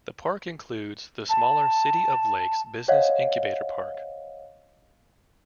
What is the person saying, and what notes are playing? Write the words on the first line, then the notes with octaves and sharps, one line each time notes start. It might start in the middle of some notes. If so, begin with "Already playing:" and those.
The park includes the smaller City of Lakes business incubator park.
A5
C5 C#5 D#5 F5 F#5